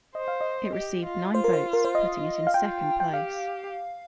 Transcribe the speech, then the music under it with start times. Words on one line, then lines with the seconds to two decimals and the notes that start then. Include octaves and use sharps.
It received nine votes, putting it in second place.
0.15 C5 D#5
0.28 F5
0.41 D#5
0.75 G4
1.05 F4
1.34 F4 C5
1.44 A#4
1.53 C5
1.73 A#4
1.85 C5
1.95 D#5
2.47 F5
2.54 F4 G5
3.00 G5
3.13 G4 F5